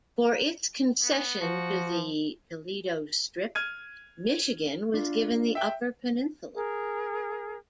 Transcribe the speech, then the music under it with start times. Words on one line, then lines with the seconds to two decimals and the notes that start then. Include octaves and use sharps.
For its concession to the Toledo Strip, Michigan was given the Upper Peninsula.
1.02 B3
1.40 F3 F#4
3.55 F6 G#6 D#7
4.94 D4 F4
5.55 E5 G5
6.55 G#4 A#4